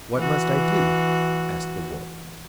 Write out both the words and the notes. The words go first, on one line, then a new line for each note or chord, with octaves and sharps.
"What must I do?" asked the Wolf.
E3 F#4